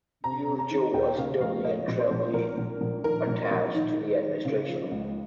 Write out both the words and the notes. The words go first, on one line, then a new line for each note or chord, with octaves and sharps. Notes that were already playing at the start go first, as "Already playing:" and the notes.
Yrujo was doubly and trebly attached to the Administration.
C3 A#5
C3
A#5
D#3
D#2 G5
C#3 F5
F1 F5
G#3 D#5
A#1
C5
A#1
A#1 A#4
A#1
A#1
D#3 A#4
A#1
A#1
D#3 D#4
D#3
D#3
C#3
F3
C#2